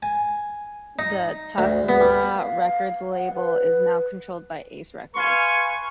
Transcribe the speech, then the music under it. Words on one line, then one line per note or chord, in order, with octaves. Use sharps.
The Takoma Records label is now controlled by Ace Records.
G#5
D#4
D2
B3
F5
F#5
B4
B4 F5 G#5 C6 C#6